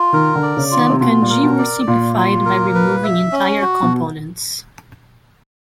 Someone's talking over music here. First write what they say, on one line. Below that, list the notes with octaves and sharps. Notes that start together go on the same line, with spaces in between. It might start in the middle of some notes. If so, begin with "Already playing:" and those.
Some kanji were simplified by removing entire components.
Already playing: F4
D#3 A#4
D3
D5
C#3
F4
D#3
C3
B2 F4
A#2
A#4
B2
D5
A#2 F4
F4
A#4
B4
E5
C#4
F#4
B2